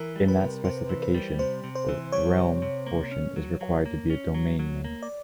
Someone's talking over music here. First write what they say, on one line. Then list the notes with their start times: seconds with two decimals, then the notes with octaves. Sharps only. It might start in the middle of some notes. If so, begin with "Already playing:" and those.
In that specification, the 'realm' portion is required to be a domain name.
Already playing: E3 A#4
0.16 G3
0.28 B4
0.40 C3
0.64 C3 C5
0.89 E3
1.02 B4
1.15 G3
1.39 C3 C5
1.64 C3
1.75 C5
1.89 E3
2.12 G3 C#5
2.38 C3
2.62 C3
2.87 A#3
3.12 C#4
3.36 F#3
3.61 F#3
3.86 A#3
4.10 C#4
4.34 F#3
4.59 F#3
4.84 A#3
5.02 D5